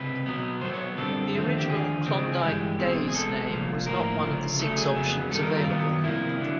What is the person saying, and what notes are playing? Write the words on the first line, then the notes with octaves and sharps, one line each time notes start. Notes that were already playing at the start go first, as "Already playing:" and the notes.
The original "Klondike Days" name was not one of the six options available.
Already playing: C#2 C3 B4
B2 F#3 B3
A#2 F#3 B3 C5
C#5
F#2 D3 G3 C4 A4
D#2 D3 F3 A3 C4
G4
D#2 D3 F3 G#4
C#2 C#3 F3 G#3 C4
G#4
G2 E3 G#3 G4
E2 B2 G#3 C4
G#4
B1 B2 G#3 B3 A4
C2 A#2 F3
A2 F3 A#3 A#4
D2 C#3 F3
D2 C#3 F#3 A3 A4
G#4
F2 C#3 F#3 B3
F#2 D#3 G3 A#3 A4
A#4
F4
F#2 D#3 F#3 B3
C2 C3 F3 A#3 E4
D3 F#3